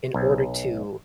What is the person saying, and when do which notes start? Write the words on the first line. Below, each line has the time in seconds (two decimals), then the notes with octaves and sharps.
in order to
0.14 B1